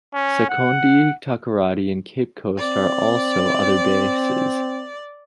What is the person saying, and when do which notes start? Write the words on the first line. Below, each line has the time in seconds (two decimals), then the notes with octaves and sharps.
Sekondi-Takoradi and Cape Coast are also other bases.
0.14 C#4
0.50 F#5
2.60 C4 D5